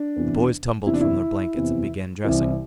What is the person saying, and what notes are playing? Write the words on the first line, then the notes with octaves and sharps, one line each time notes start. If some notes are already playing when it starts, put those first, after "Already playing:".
The boys tumbled from their blankets and began dressing.
Already playing: D4
E2 C3 E3
E2 C3 E3 E4
D4
E4
E2 C3 E3
C2 C3 E3